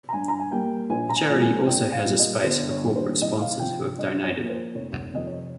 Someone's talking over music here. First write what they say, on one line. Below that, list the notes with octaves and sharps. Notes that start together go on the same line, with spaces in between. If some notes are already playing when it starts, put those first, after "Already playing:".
The charity also has a space for corporate sponsors who have donated.
A#5
G2 G#5
A#5
G#5
G3 A#3 G5
A#1 G#5
A#5
G#5
A#2 F3 G#3
G#5
A#1 G5
F5
A#2 G3
D#5
G1 C5
C#5
G2 D#3 G3 A#3
C5
C2 D#5
F5
C3 F3 G5
G2 D#5
C#5
F3 A#3
C5
F1 C#5
F2 C3 D#5
C#5